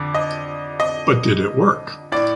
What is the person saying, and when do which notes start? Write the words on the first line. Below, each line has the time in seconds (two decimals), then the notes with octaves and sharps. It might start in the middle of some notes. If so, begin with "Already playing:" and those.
But did it work?
Already playing: F2 D3 D5
0.14 D#5
0.80 D#5
2.12 A2 D5